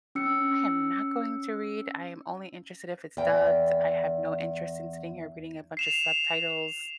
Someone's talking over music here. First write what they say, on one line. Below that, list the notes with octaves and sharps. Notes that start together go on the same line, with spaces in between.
"I am not going to read, I am only interested if it’s dubbed, I have no interest in sitting here reading a bunch of subtitles,"
C#4 E6 C#7
E2 G5
C7 E7 F7